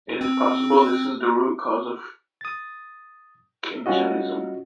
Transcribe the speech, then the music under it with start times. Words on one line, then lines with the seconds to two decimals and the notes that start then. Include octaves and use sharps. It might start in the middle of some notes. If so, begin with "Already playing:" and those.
It is possible this is the root cause of cinchonism.
0.21 C4
2.41 D#6 A6
3.86 G3 C#4 F4 F#4 D#5